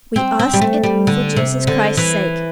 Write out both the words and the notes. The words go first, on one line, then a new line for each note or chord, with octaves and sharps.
We ask it for Jesus Christ's sake.
C4
C4
G3
A3
G3
D3
C3
D3
E3